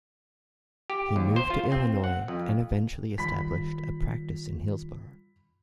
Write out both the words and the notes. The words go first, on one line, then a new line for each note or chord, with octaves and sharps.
He moved to Illinois and eventually established a practice in Hillsboro.
G4
D#2
C5
F4
C4
F#5
F2
D#3 G3 F4 B5 B6